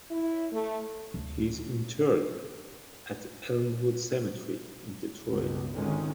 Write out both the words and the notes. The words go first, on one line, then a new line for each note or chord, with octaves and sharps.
He is interred at Elmwood Cemetery, in Detroit.
E4
A3
D2
C#4
C#2 G2 B2
G#1 C#2 D3 D#3 G#3 C#4